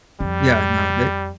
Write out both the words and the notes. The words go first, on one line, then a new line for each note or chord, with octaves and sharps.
Yeah, no, they
F2 G3